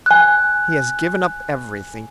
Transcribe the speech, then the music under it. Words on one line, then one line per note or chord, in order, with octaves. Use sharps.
He has given up everything.
G#5 F#6